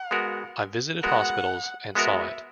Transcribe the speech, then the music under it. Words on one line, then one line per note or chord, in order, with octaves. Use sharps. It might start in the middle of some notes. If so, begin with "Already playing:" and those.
I visited hospitals and saw it.
Already playing: F#5
G#3 B3 F#4 A#4
G#3 B3 F#4 A#4 F#5
G#3 B3 F#4 A#4 E5